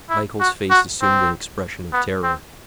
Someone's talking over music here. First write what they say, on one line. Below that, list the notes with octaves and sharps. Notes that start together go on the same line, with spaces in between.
Michael's face assumed an expression of terror.
E4
F#4
F#4
C4
B3
C4